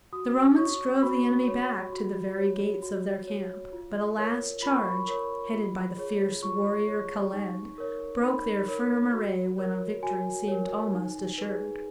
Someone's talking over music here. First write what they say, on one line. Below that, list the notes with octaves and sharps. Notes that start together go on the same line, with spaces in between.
The Romans drove the enemy back to the very gates of their camp, but a last charge, headed by the fierce warrior Khaled, broke their firm array when a victory seemed almost assured.
F#4 D#6
C#5 C#6
F#4 B5
C#5
F#4
C#5
F#4
C#5
F4
A#4 C#5
F4 B5
C#6
B5
A#4 C#5
F4
G#4 C#5
F4 C#6
G#4 C#5
D#4
A#4 C#5
D#4 B5
A#4 C#5
F#4
A#4 C#5
F#4 G#5
A#4 C#5
D#4
G#4 B4